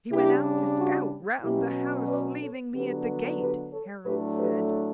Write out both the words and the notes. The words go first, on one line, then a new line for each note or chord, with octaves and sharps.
"He went out to scout round the house, leaving me at the gate," Harold said.
C#3 G3 D4 E4 G4
F#4
B2 F#3 C#4 E4 G4
B4 D5
A4 C#5
D3 F#3 B3 D4 G4 B4
G4 B4
A4 C#5
A2 F#3 A3 D4 G4 B4
G4 B4